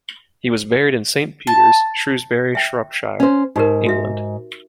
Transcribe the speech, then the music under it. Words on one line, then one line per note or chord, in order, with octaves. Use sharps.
He was buried in Saint Peter's, Shrewsbury, Shropshire, England.
A5
E5 G5
C#4 C5
G#2 D#4 G4 A#4
F#4 E5